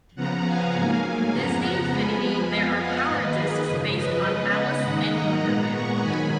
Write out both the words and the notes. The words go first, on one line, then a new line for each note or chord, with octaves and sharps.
In "Disney Infinity" there are power discs based on Alice in Wonderland.
C#3 F3 B3 F#5 A#5
F5 G#5
G#2 F#3 A#3 F5 G#5
F5 G#5
F2 C#3 F3 B3 F#5 A#5
F2 F3 G#3 B3 G#5 B5
G#5 B5
F2 F3 B3 F5 G#5
D#5 F#5
G#2 D#3 A#3 B4 D#5
G#4 B4
F#2 C#3 F3
B4 D#5
C#3 G#3 B3
D#5 F#5
G#2 D#3 A#3
F#5 A#5
A#2 G#3 B3
A#5 C#6
G#2 D#3 F#3 G#5 B5